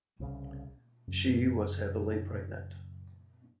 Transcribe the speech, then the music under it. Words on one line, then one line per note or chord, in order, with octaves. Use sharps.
She was heavily pregnant.
C2 C#3
F#2 C#3